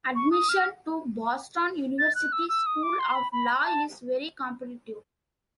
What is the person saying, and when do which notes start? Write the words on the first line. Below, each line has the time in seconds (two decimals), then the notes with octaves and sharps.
Admission to Boston University School of Law is very competitive.
0.16 C#6
0.31 D#6
0.49 F6
1.99 A6
2.15 F#6
2.32 E6
2.49 E6
2.66 D#6
2.83 D6
2.99 C6
3.15 B5
3.32 B5
3.66 A5